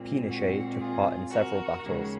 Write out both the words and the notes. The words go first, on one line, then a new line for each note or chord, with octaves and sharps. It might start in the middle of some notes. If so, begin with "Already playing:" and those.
Pinochet took part in several battles.
Already playing: A#2 G#3 C4
F#4
F4 G#4
F#4 A#4
D#2 C#3 G#3